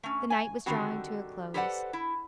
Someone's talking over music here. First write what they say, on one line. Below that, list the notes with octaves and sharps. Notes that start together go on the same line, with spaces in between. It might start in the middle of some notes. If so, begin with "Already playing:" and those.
The night was drawing to a close.
A3 C#4
G#5
D3 D#3 G3 C4 F#4
G4 A4 B4 C5 D5 F#5
E4